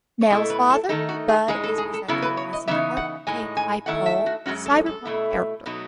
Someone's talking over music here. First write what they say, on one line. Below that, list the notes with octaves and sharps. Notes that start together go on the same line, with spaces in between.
Nell's father, Bud, is presented as an archetypal cyberpunk character.
C#5
B2 A3 E4 D#5
B4
A4
D#3 A3 D#4 A4
F#4
G#4
A2 G#3 D#4 G#4
A4
G#4
A4
C#3 F#3 B3 E4 A4
B4
C#5
D#5
C#3 E3 B3 D#4 E5
F#5
A2 G#3 D#4 G#5
G#5
D#3 A3 E4 F#5
E5
F#4
F#2 C#3 G#3 C#4 F#4
A4
A4
B2 A3 E4
B2 F#3 A3 D#4